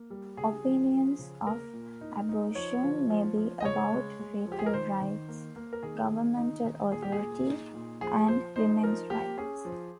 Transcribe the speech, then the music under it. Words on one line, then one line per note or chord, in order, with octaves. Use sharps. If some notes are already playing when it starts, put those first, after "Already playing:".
Opinions of abortion may be about fetal rights, governmental authority, and women's rights.
Already playing: A#3
G3
C#3 G#4
F3
F3
C#3
A#3 A#4
A#2
D#4
D#4
F3 C#5
F3
F3
F3
D#5
C#3 C#5
G#3
G#3
F3
G4
G#4
A#4
D#3 C5
D#3
A#3
A#3
A#4
D#3 G#4
D#3
D#4
D#3
A#2 G#4
G4
G#4
A#2
D#4
A#2
F3 G#4
F3 C5
D#4 C5
F3 A#4
A#3 G4
C#4 G#4
F3